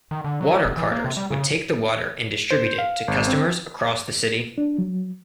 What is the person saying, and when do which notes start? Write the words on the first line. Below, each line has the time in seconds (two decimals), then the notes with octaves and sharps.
Water carters would take the water and distribute it to customers across the city.
0.11 D#3
0.24 D3
0.41 F#3
0.65 F#1
0.77 E3
0.91 A#3
1.04 C3
1.17 G3
1.31 C#3
2.51 C5
2.78 F5
3.08 G#1
3.28 C4
4.58 D4
4.78 F#3